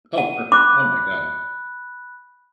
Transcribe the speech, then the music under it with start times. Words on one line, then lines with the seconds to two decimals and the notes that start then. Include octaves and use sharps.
Oh, perfect. Oh my god.
0.18 F#5 D#7
0.52 B5 D6 F#6